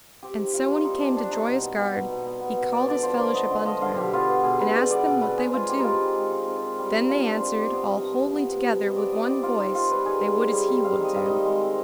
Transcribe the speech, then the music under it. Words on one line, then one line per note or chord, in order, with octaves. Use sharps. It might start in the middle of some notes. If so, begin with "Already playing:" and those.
And so when he came to Joyous Gard he called his fellowship unto him, and asked them what they would do Then they answered all wholly together with one voice they would as he would do.
C4 G4
D#3
G3 F4
D#3
C4 D#4
D#3 D4
G3 D4
D#3 D#4
B2
B3
B3
B2
B2
B3
B3
B2
B3 D5
D3 D5
F3 C5
D3 D5
B3 D#5
D3 D#5
F3 D#5
D3 F5
B2 G4
B3 F4
B3
B2 G#4
B2 B4
B3 D5
B3 D5
B2
C4 B4
D#3 G#4
G#3 F4
D#3 G4
D#4
C4 F4
D#3
G#3
D#3
C4
D#3
G3
D#3
C4 F4
D#3 D4
G3 C5
D#3 D5
B3 D#5
C3
F3
C3
B3
C3
F3
C3
D#5
C4 D5
D#3 D#5
G3 D5
D#3 F4
C4 D#4
D#3 F4
G3 B4
D#3 G#4
C4
D#3
G3
D#3
C4 F5
D#3 D#5
G3 F5
D#3 D#5
G#3
C4